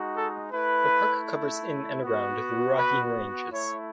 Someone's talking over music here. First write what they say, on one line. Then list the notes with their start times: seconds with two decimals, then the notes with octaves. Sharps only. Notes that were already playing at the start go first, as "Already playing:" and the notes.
The park covers in and around the Ruahine Ranges.
Already playing: G#3 D#4 F#4
0.15 A4
0.52 A3 E4 B4
2.02 B3 F#4
2.76 B4
3.51 A3 E4 C#5